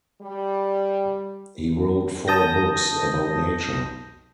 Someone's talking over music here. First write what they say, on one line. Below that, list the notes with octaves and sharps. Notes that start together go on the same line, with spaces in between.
He wrote four books about nature.
G3
A5 D#6 G6 A#6